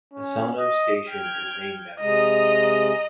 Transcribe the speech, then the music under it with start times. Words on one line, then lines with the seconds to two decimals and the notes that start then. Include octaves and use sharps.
Asano Station is named after him.
0.13 C#4
0.58 D#5
1.09 G5 F6 G#6
2.01 C3 G#3 D#5 A#5 D#6